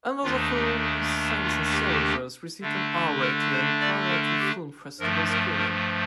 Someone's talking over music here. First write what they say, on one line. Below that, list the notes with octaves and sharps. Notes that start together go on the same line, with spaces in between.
Another film, "Saints and Soldiers" received an R-rating prior to film festival screening.
D#2 D#3 A3 D4 F4
G4
F4
G4
D3 A3 D4
A#4
C5
D5
A#4
G4
G2 F3 A3 A#4
A#4
A#4